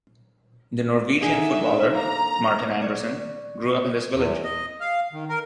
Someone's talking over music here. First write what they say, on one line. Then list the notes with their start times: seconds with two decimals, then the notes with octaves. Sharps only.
The Norwegian footballer Martin Andresen grew up in this village.
1.21 D3 D4 D#4 G#4 E5
1.95 A#3 A#5
2.82 C#5 D5
4.14 E2
4.44 D#5
4.80 F5
5.13 D#3
5.29 A#4